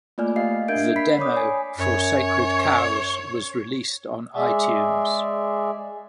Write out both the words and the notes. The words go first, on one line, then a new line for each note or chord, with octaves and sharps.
The demo for "Sacred Cows" was released on iTunes.
A3 A#3 F4 D5 G#5 F6
A#3 G4 D#5 F5 C7
D4 A#4 E5 G6 G#6 D7
B5 B6 C7
C#5 D5 B5 D6 D#6
G#5
F#2 C#5
G#3 G#4 D5 E5